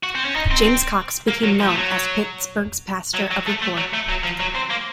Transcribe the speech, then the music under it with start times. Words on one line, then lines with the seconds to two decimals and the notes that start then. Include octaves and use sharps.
James Cox became known as Pittsburgh's "Pastor of the Poor".
0.03 F#4
0.15 C4
0.25 C#4
0.36 D#4
0.51 C4
1.28 A#3
1.44 F#3
1.60 F3
1.68 A3
1.75 F#3
3.15 F#3
3.31 F#3
3.47 A3
3.62 A3
3.77 F#3
3.93 A3
4.09 F#3
4.24 F3
4.40 F#3
4.55 C4
4.70 A#3